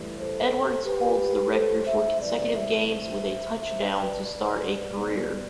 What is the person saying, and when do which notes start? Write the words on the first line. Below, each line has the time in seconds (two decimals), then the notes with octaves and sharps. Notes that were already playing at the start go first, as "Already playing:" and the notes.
Edwards holds the record for consecutive games with a touchdown to start a career.
Already playing: A2 E3 G3
0.17 A4 C5
0.85 G4 B4
1.53 A4 C5
1.87 C5 E5
2.20 C3 E3 G3 B4 D5
2.54 C5 E5
2.88 C5 E5
3.56 C5 E5
3.90 B4 D5
4.24 B4 D5
4.92 B2 G3